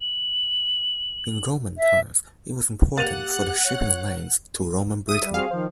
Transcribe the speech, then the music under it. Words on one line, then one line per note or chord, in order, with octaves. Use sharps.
In Roman times, it was important for the shipping lanes to Roman Britain.
F#7
E5
A#3 G4 F#5 F#6 A6 D#7 F7
C#5
E5 D#6 D#7
G3
C4 F#4 G#4 F5
D#3 F3 C5